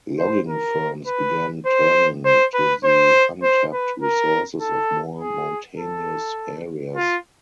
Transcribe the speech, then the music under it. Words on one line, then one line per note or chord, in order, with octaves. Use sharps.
Logging firms began turning to the untapped resources of more mountainous areas.
C5
A#4
B4
C5
C5
B4
C5
C5
B4
A#4
A4
G#4
A4
F4